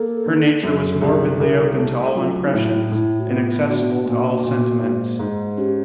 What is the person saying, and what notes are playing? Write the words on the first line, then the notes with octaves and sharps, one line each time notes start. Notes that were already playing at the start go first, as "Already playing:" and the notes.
Her nature was morbidly open to all impressions and accessible to all sentiments.
Already playing: A#3 A4
D3
F#2
A4
C2 G#4
A4
C2 A#4
A#4
A3 A4
F#3 F4
D#4
A2 E4
A2 E4
F#4
B3 F4
D3 F#4
A#2
A#2
G#2
G#2
C#4 G4